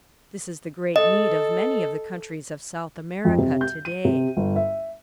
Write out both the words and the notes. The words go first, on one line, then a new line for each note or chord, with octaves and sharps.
This is the great need of many of the countries of South America today.
A4 D#5
F2
C3
G6
D#7
C3
G1
E5